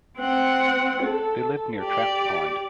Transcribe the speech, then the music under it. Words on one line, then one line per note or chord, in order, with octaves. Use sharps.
They lived near Trap Pond.
C4 F#5
A4
G4 D5